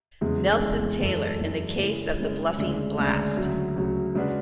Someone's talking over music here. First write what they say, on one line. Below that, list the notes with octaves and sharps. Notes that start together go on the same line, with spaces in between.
Nelson Taylor in The Case of the Bluffing Blast.
E2 C#3 G#3
E2 C#3 G#3
F#2 E3 G#3 D4 A4
F#2 E3 G#3 D4 A4
C#3 G#3 C#4 E4
C#3 G#3 C#4 E4
D2 C#3 G#3 D4
D2 C#3 G#3 D4
D2 C#3 F#3
D2 C#3 F#3
C#3 G#3 D4 F#4 B4